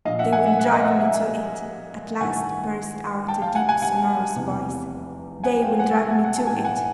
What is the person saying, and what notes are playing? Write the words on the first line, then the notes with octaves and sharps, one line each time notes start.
'They will drive me to it!' at last burst out a deep sonorous voice. 'They will drive me to it....
A#1 A#2 D#5 F5
E5 F#5
F#5 G#5
E5 F#5
E5 F#5
D#5 F5
E5 F#5
E5 F#5
F#5 G#5
A1 G2 D#3 F#5 G#5
G5 A5
F5 G5
F#5 G#5
F#5 G#5
F#5 G#5
F1 E2 C3
F#5 G#5
F5 G5
F#5 G#5
F#5 G#5
F#5 G#5
F#5 G#5
A5
G#5
B1 A2 E3 G5
F#5 G#5